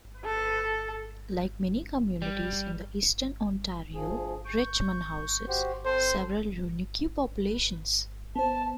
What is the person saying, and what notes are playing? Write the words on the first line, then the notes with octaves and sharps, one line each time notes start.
Like many communities in eastern Ontario, Richmond houses several unique populations.
A4
G3
D2 F3 G#4
C#6 G6
F#4 G4 C5
C4 A4 C5
B3 C5 A5